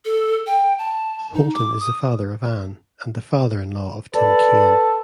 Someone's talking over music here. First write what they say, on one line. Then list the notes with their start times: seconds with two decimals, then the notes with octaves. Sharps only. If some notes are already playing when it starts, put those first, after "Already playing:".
Holton is the father of Anne, and the father-in-law of Tim Kaine.
0.05 A4
0.47 G5
0.78 A5
1.34 D#4
1.54 D6
1.80 D#6
4.14 A4 B4 D5